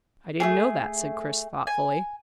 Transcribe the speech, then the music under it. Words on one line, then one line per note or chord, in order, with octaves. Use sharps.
"I didn't know that," said Chris thoughtfully.
A3 A#3 G#4
G#5